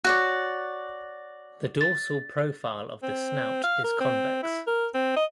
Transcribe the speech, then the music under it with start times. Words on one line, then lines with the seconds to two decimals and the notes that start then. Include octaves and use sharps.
The dorsal profile of the snout is convex.
0.05 F#4 C#5 D5 F#6
1.81 A6
3.03 C4
3.63 F5
3.84 A#4
4.00 C4
4.43 E4
4.67 A#4
4.94 C4
5.16 D#5